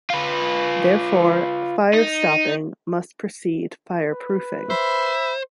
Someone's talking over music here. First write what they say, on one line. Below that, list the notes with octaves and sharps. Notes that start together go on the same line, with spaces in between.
Therefore, firestopping must precede fireproofing.
F4 B4
D#4
B4
C5 E5 B5